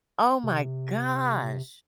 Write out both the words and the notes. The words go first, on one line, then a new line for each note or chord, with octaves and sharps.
Oh my gosh.
C3